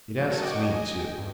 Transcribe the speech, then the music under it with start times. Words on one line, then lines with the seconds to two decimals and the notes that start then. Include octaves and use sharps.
It asks me too.
0.18 E3 F#3 G#3 A#3
0.29 F#4 A4 A#4 G#5 A5
0.42 D#5 F#5 G5 C#6 D6
0.63 D#5 G#5
0.99 G5
1.18 G2